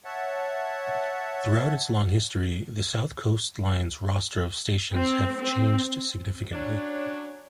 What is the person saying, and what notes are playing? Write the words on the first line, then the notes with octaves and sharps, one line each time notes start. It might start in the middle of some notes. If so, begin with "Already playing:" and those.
Throughout its long history, the South Coast Line's roster of stations have changed significantly.
C#5 E5 F#5 A5
C4
C4
F#3 C#4 D4